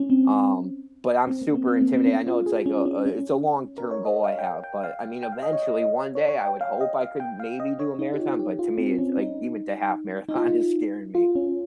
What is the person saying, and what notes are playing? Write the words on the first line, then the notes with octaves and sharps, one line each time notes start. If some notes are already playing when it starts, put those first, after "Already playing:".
um, but I'm super intimidated, I know it's like a, uh, it's a long-term goal I have, but I mean, eventually, one day, I would hope I could maybe do a marathon, but to me, it's like, even the half marathon is scaring me.
Already playing: C#4
C4
C4
A#3
C4
C4
A#3
C4
C#4
F4
G#4
C#4
C#4
C#4
A#4
C#5
D#5
F5
G5
F5
G5
F5
F5
G5
F5
D#5
C#5
D#5
D#5
C#5
C#5
G5
F5
D#5
F5
G5
F5
D#5
C#5
D#4
G4
F4
G4
F4
C4
C#4
D#4
D#4
F4
F4
C#4